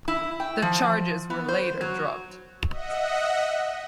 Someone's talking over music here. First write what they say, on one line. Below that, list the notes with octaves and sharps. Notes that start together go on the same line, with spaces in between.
The charges were later dropped.
E4
G5
F3
B3
C5
F#3
D#5 E5 F#5